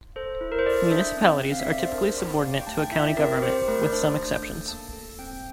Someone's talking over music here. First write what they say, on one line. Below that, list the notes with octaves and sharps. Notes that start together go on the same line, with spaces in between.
Municipalities are typically subordinate to a county government, with some exceptions.
A4 C5
E4
A#4
C5
A4 D5
D4 E5
C4
C4
F5
E5
A4 D5
C5
D4 A#4
C5
G4 D5
G4 F5
G5
A3 A5
G5
E4 E5
D5
C4 A#4
G4 C5
A3 A#4
D5
D4 C5
A3
A4
A#3 A5
A4
C4 G5